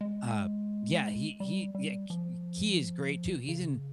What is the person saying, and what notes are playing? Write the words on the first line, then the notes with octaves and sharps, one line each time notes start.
Uh, yeah, he he yeah, h he is great too, he's in
G#3
G3
G3
F3
C#3